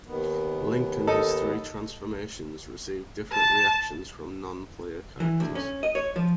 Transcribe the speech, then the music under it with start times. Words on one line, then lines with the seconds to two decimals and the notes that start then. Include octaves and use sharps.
Link and his three transformations receive different reactions from non-player characters.
0.07 D#2 D#3 B3
1.07 D#4 A4
3.33 A5
5.20 E3
5.40 D2
5.55 C#4
5.83 D#5
5.95 C#5
6.16 F3